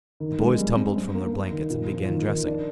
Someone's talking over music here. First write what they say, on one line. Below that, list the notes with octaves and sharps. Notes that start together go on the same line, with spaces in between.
The boys tumbled from their blankets and began dressing.
D#3
G#3
G3
C4
G2
A#3
A#3
D#3
A#2
F3
D#3
D#3
D4